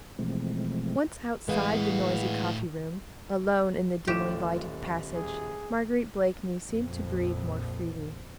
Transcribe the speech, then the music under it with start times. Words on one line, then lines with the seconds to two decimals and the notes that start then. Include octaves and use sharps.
Once outside the noisy coffee-room, alone in the dimly-lighted passage, Marguerite Blakeney seemed to breathe more freely.
0.19 B2 E3 F3 G#3 A3 C4
1.48 A2 E3 G#3 B3 F5
4.07 D#1 A2 F4 G4 E7
5.15 G#4
6.67 A#1 F2